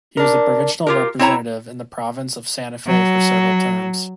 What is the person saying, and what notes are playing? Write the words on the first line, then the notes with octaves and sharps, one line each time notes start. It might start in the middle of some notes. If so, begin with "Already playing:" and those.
He was provincial representative in the province of Santa Fe for several terms.
D4 A#4
F4 G4 A#4
C4 E4 C#5 A#5
F#3